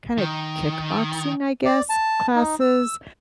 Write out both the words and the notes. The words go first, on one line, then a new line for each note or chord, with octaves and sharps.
kinda kickboxing, I guess, classes,
D#3
D5
A5
D#4
E6